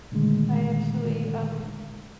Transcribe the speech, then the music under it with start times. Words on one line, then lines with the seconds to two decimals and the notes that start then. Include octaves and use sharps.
I actually, um,
0.12 A#2 D3 D#3 G#3 A3